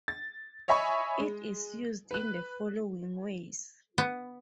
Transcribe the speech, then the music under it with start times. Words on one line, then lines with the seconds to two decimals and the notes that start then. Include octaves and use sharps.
It is used in the following ways.
0.08 A6
0.68 C#5 D#5 E5 G#5 B5 C#6
1.20 G#3
2.11 B4 F#6
3.98 B3